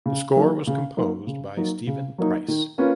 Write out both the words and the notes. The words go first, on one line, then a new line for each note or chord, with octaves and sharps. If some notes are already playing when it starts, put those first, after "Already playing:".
The score was composed by Steven Price.
C#3
F#3 A#3 D#4
C#3
F#3 A#3 D#4
C#3
F#3 A#3 D#4
C#3
F#3 A#3 D#4
D#3
A#3 C#4 F4 B4